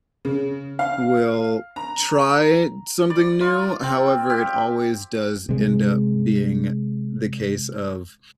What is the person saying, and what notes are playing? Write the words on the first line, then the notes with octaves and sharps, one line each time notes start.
will try something new; however, it always does end up being the case of,
C#3
F5
A#5
D5
F4
C4
G4
C3 G#3